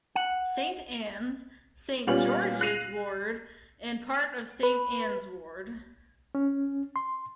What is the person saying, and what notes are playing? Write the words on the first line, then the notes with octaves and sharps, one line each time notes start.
"Saint Anne's": Saint George's ward and part of Saint Anne's ward.
F#5
A#2 G3 B3 C#4 F4 F#7
F#6 A#6 C7 D#7 F7
B4
C#4
C6